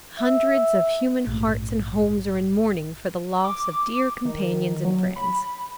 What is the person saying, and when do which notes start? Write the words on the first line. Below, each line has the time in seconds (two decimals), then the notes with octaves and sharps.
Hundreds of human hearts and homes are in mourning for the loss of dear companions and friends.
0.18 E5
1.27 A#1 G#2 A3
3.44 D6
4.25 D#3
4.85 F#3
5.16 B5